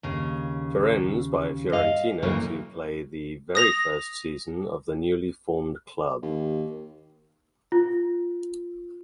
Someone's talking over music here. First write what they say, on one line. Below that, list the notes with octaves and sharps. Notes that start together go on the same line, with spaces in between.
Firenze by Fiorentina to play the very first season of the newly formed club.
D#2 C#3
D#5 F5
D2 C#3 E3 F#3 A#3
D#6 A#6 F7
D#2
F4